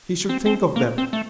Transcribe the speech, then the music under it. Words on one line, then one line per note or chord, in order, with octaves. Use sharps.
He should think of them.
C4
C4
A#3
C4
A3